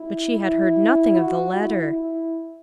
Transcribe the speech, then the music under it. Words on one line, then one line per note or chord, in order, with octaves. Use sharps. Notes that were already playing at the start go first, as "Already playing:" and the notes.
But she had heard nothing of the letter.
Already playing: E4
E4
F#4
E4
E4